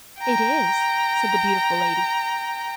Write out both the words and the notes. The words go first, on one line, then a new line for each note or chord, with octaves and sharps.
"It is," said the beautiful lady.
G5 A#5